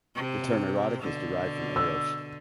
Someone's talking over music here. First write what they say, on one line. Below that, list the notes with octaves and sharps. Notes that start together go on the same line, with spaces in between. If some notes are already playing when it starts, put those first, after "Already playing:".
The term "erotic" is derived from "eros".
C3
B2 D3
E6